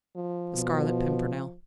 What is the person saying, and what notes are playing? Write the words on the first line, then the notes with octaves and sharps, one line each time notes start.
The Scarlet Pimpernel.
F3
B2